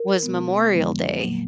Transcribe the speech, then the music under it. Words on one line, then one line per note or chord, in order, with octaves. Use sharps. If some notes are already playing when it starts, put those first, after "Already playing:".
was Memorial Day
Already playing: A#4
B2 G#3 B3
F2 D3 F3 G#3 B3
A#2 F#3 A#3